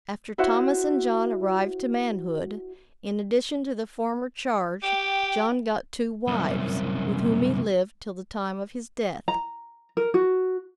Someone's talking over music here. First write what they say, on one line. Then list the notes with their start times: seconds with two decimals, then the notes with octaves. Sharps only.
After Thomas and John arrived to manhood, in addition to the former charge, John got two wives, with whom he lived till the time of his death.
0.38 E4 F#4 C5 E5 F#5
4.83 G4 G5
6.28 C2 F#2
9.28 A#5
9.97 A#4
10.14 F#4